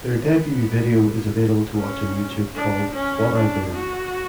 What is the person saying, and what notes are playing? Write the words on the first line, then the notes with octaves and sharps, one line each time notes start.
Their debut video is available to watch on YouTube called "What I believe".
B3
C#4
D4
C#4
D4
F#4